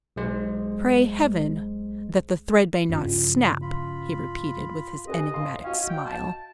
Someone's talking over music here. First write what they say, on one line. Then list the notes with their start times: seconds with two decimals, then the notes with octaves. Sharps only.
"Pray heaven that the thread may not snap," he repeated, with his enigmatic smile.
0.16 B1 G#3 C5
2.89 G2 C#3 F3 E4
3.62 F4 B5
5.07 G4 B4 D#5 G#5
5.34 F5 C6
5.64 C#4 F#4 D#5 F5
5.89 G5
6.06 A5